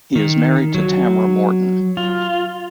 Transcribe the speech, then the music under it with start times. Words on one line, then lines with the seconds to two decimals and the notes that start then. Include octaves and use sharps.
He is married to Tamra Morton.
0.16 D#3
0.75 F#3
1.97 F4